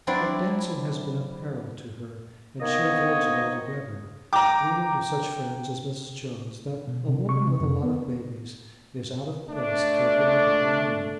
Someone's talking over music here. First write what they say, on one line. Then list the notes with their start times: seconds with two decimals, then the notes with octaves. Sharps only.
But dancing has been a peril to her, and she avoids it altogether, pleading to such friends as Mrs. Jones that a woman with a lot of babies is out of place capering about a room.
0.07 F#3 C4 D4 E4 C5 D5
2.61 D#3 A#3 B3 C5 C#5 D#5
4.33 G5 A#5 D6
6.87 B2
7.08 C3
7.29 C#6
7.46 C3
7.60 F2
7.83 B3
9.50 A3 D4